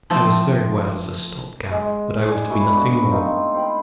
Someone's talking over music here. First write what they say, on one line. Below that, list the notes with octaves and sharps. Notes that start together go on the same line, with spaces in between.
I was very well as a stopgap, but I was to be nothing more.
F3 A3 C4
G#3
G#4 D5
A3 F#4 B4
B3 D4 F#4
C4 D#4 F4
C5 G5 B5